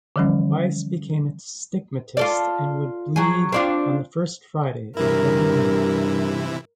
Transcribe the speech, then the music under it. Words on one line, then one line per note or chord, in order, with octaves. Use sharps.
Wise became a stigmatist and would bleed on the first Friday of every month.
D3 E3 F3 G3 C#4
F4 A4 D5
F#3 G#4
C4 D4 F4
G2 C3 E3 E4 A#4